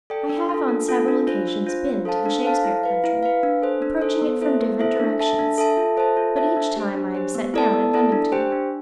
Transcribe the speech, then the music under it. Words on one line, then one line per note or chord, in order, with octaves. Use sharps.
I have on several occasions been to the Shakespeare country, approaching it from different directions, but each time I am set down at Leamington.
A4 D5 G5
D4
F4 A4
D4
F4 A4
D4
F4 C5
D4
F4 C5
D4
A4 C5 F5 A5
D4
A4 C5 F5 A5
E4
B4 F5
E4
B4 F5
D4
A4 C5
D4
A4 C5
B3
E4 A4 C5 E5
B3
E4 A4 C5 E5
D4
A4 E5 A5
D4
A4 E5 A5
F4
A4 C5 E5 A5
F4
A4 C5 E5 A5
D4
G4 C5
D4
G4 C5
B3
E4 A4 D5 A5
B3
E4 A4 D5 A5
D4
G4 C5 G5
D4